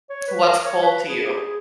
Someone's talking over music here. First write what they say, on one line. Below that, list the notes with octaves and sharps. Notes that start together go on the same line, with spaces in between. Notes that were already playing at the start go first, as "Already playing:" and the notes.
What's cold to you?
C#5
B4
A#4
C#5
B4
G#4
G4
G#4